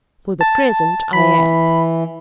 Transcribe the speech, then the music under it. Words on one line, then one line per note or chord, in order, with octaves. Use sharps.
"For the present I am."
A5
E3 B5